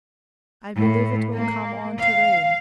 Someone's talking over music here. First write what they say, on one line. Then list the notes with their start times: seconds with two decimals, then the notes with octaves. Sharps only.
I believe it will come on to rain.
0.76 A2
1.34 A#3
1.98 F5